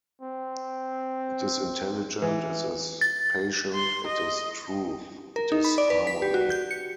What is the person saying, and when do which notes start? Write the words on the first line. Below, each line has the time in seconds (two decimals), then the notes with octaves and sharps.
It is intelligent, it is patient, it is truth, it is harmony.
0.21 C4
2.22 E3
3.01 A6
3.75 C6
4.07 D#5
5.36 A#4
5.52 D#4
5.64 B5
5.78 D5
5.90 B4
6.07 B6
6.22 G4
6.34 F#4
6.50 G6
6.71 C#7